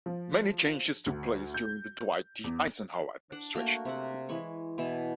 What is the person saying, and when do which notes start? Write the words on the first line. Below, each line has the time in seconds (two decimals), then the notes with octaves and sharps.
Many changes took place during the Dwight D. Eisenhower administration.
0.06 F3
1.06 D2
1.54 G6
2.44 E2
3.32 D4 F#5
3.55 A3 A#3 F#4 G5
3.85 C3 C4 F#5
4.29 E3 G#3 B5 C#6
4.78 B2 E3 E4 A5